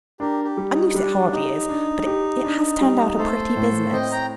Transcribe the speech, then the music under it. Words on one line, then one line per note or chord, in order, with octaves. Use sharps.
A noose it hardly is, but it has turned out a pretty business.
D4 G4 A#4
G4
G3
D#4
G3 D4
D#4 G4
D4
G4
D4
G3
A3 A4 C5
A2
C4 D#5 G5
G5 A#5